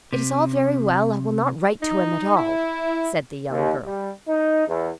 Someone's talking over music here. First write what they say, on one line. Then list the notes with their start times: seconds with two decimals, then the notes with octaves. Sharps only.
"It is all very well--I will not write to him at all," said the young girl.
0.13 C3
1.81 D#4
2.36 E4
3.51 D#2
3.86 G3
4.28 D#4
4.68 E2